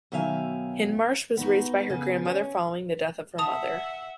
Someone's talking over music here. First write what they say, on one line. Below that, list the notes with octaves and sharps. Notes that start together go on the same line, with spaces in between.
Hindmarsh was raised by her grandmother following the death of her mother.
B2 D#3 F#3 E5 F5 G#5
B3 D#4 F#4
C#3 B3
C#4
E5 F#5 A5 D#6 F7